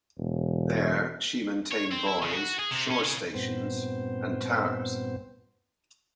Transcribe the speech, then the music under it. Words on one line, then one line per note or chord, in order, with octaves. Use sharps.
There she maintained buoys, shore stations, and towers.
E1
C#5
C4
E4
C#3
F#4
G#4
C3
C#4
C#3
G2 A#2 B3 C4 C5